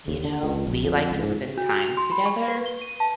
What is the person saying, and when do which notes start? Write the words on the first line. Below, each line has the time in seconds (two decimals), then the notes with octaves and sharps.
you know, we like to spend time together,
0.08 D#2
0.25 D3
0.43 C#2
0.67 A#1
0.85 F2
1.11 C#2
1.23 G#2
1.58 F#4
1.69 F#4
1.81 F7
1.97 C6
2.12 B5
2.26 C#6
2.48 B4
2.66 G7
2.81 D#7
3.00 A5